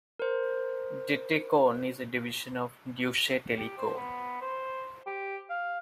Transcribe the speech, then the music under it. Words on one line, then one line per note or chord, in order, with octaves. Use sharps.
Detecon is a division of Deutsche Telekom.
A#4 C5
G4
C5
B3
C5
G4
F5